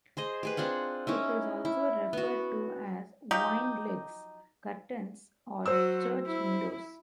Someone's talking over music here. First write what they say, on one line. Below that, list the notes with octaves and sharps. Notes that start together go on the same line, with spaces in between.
It is also referred to as wine legs, curtains, or church windows.
G#4 C5 D#5
G4 G#4 B4
C4 D4 F4 F#5
C#4 D#4 E4
E4
B3 F#4
F3 F#3 D#4 G4
F#3 F#4 C5 E6
E4